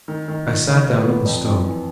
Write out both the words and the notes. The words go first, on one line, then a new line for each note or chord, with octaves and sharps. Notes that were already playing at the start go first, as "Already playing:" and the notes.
I sat down on the stone.
D#3
D#3
D#3
D#3
B3
B3
F2
F2
E3